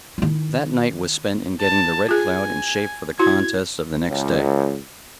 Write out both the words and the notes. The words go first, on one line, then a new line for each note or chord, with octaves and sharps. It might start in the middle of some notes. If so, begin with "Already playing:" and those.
That night was spent in getting the Red Cloud in shape for the contests of the next day.
D#3 E4
A5
F4 G#4 G#5
E4 F#4 G#6
C#2